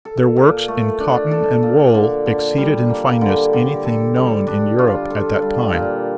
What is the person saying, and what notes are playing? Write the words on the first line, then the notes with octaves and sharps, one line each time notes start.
Their works in cotton and wool exceeded in fineness anything known in Europe at that time.
A4
A#2
A3
D4
A4
A#2
D3
D3
G3
A#3
D3
D3
A4
G3
D4
F4
A4
G3
A#2